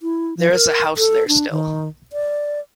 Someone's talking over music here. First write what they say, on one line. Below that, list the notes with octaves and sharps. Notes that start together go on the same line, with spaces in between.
There is a house there still.
E4
F3
A#4
A4
D4
D#3
D5